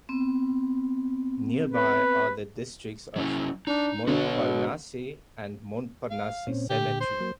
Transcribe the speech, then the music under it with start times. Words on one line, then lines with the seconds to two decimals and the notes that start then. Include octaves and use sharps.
Nearby are the districts of Montparnasse and Montparnasse Cemetery.
0.09 B3 C4
1.72 B4
3.16 F#3 C#4 E4
3.67 D4 D#4
4.07 B2 D3 F#4 B4 C#5
6.11 F5
6.47 A#2 C4 C#4
6.70 A#2 D3 G4
7.00 C5
7.21 F#3 A#3